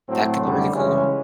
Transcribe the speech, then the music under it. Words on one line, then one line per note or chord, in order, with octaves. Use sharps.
that could be really cool.
A2 F#3 A3 C4
F#2 D3 G3
C#3 E3 G#3 C#4